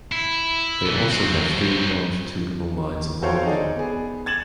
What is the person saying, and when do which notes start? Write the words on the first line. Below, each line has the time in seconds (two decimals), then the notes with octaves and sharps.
They also have thin longitudinal lines along them.
0.12 E4
0.86 B2 E3
1.10 F#3 C4
3.22 F#4 A4 C5 C#5 F5 G5
3.43 D#4 G#4 D5
3.77 B3 G#4
4.26 G#6 A6 E7 F#7